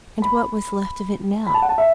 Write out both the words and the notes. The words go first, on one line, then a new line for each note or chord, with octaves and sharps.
And what was left of it now?
B5
B5
A5
F#5
A5
E5